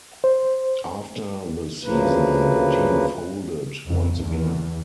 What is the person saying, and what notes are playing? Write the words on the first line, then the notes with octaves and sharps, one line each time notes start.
After the season, the team folded, once again.
C5
D2 C#3 F3 A#3 B4
F2
E2